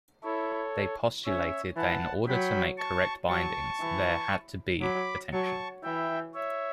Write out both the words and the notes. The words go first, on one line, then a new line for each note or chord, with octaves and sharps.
They postulated that in order to make correct bindings there had to be attention.
E4 A4 C#5
C#4 C#5 E5
E3 F#5 A5
F#3 G5 B5
A5 C#6
F#3 A5 C#6
E3
F#3 B5 D6
F#3 A5 C#6
E3 E5 G5
C#5 E5